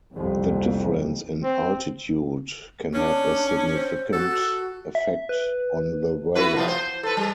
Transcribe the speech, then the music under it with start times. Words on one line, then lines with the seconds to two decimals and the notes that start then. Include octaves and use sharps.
The difference in altitude can have a significant effect on the weather.
0.12 C2 F2
1.43 C4
2.94 C#4 D4
3.73 C5
4.13 F#4 A4
4.30 F#4
4.95 E5
5.29 B4
6.35 E4 F#4 B4
6.54 C3 F3 B3
6.68 C5
7.03 A4 B4
7.17 G3